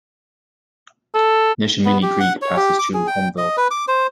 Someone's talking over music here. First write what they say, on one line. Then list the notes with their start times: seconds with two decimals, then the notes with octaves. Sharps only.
Neshaminy Creek passes through Hulmeville.
1.14 A4
1.85 B3
2.02 G4
2.20 F#5
2.42 C#5
2.57 G4
2.79 D6
2.94 G#4
3.07 G5
3.38 D#5
3.57 B4
3.71 D6
3.88 C5